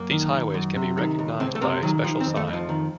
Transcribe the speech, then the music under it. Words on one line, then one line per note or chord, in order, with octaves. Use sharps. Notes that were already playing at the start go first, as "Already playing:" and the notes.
These highways can be recognized by a special sign.
Already playing: F#2 A#3
D#3
D#3
F#2
C3
D#3
C#2
C#2 C4
A3
C3 A#3
D#3 F#3
D#3 F3
C4
F2
A3
F2
F3
D#3